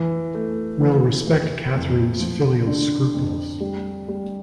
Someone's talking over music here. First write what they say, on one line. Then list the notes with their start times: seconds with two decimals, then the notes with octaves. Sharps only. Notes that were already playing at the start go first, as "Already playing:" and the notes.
We’ll respect Catherine’s filial scruples.
Already playing: E3
0.34 A3
0.80 E3
1.27 E3
1.74 F2
2.20 F3
2.67 D3
3.14 F2
3.60 G3
4.08 G3